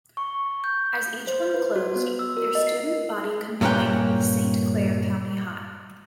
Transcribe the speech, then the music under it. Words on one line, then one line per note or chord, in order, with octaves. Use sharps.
As each one closed, their student body combined with Saint Clair County High.
C#6
G6
C5
B4
F#4
B3
E6
A#4
D#5
C7
G2 A#2 A#3 C#4 B4 G5